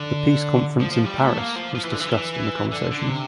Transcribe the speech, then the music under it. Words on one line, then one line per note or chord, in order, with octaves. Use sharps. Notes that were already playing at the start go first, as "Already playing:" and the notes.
The Peace Conference in Paris was discussed in the conversations.
Already playing: D3
F3
F3
G3
A3
A#3
F3
F3
E3
D3
E3
D3
D3
C3